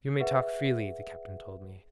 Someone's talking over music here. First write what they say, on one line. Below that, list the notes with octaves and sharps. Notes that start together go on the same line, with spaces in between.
"You may talk freely," the captain told me.
G#4 B4 E5 F#5